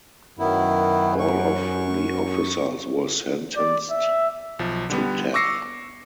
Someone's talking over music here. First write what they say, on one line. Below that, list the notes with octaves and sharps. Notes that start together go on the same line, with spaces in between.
All of the officers were sentenced to death.
F#2 D#3 B3 E4
C#6
D5
E5
B1 F3
D3 G3 B3
C#6 D6 E6 A#6 C7 C#7